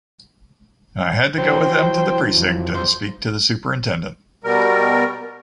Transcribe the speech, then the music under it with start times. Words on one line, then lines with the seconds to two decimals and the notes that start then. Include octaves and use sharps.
I had to go with them to the precinct and speak to the superintendent.
1.38 E3 F#3 C5 G5
2.37 F2
2.71 G2 C5
4.44 B2 G3 A#4